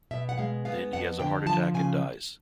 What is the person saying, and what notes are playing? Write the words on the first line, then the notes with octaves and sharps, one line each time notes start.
Then he has a heart attack and dies.
B2 E5
F#5
G#3 F5
B3 F5
F2 F#5
D3 G5
F3 A5
C#3 G#5